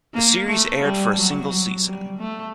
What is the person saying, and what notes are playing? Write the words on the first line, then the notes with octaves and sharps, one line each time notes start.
The series aired for a single season.
A#3
A3
G3
F#3
F#3
G3
A3